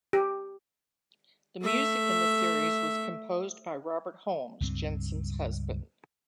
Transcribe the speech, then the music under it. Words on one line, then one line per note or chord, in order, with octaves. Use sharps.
The music in the series was composed by Robert Holmes, Jensen's husband.
G4
A3 E5
C#2 G2 C4